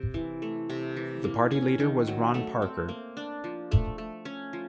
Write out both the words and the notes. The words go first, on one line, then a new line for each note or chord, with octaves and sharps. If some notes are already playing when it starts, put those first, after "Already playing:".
The party leader was Ron Parker.
Already playing: C3
E3
A3
C3
E3
A#3
C#4
D#3
F#3
A3
C4
A#3
D4
F3
A3
A3
C#4
F3